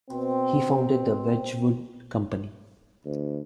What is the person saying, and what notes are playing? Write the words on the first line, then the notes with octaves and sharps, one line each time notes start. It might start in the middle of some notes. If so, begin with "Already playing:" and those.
He founded the Wedgwood company.
B2 C4
D2